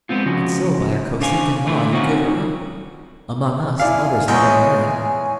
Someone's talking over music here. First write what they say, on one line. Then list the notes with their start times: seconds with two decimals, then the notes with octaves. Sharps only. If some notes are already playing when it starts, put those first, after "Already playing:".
And so by our Kosekin law you give her up; among us, lovers never marry.
0.09 G#3 B3 C4 F4
0.26 C#3 F3 C#4 F#4
1.20 C#3 D4 C5 F5 G#5
1.67 D3 A3 E4 F4
1.92 C4 C#4 D#4 F4 F#4
3.80 E4 D5 F5 G#5
4.28 E2 G#3 G#4 C#5 G5